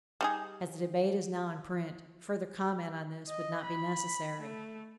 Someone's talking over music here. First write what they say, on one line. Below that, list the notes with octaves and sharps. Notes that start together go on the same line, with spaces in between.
As the debate is now in print, further comment on this would not be necessary.
G3 D#4 G#4
D#5
B5
A3